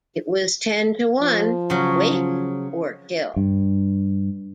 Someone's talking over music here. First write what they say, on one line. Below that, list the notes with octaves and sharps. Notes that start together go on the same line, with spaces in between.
It was ten to one — wake or kill.
F3
C#3 F#3
G2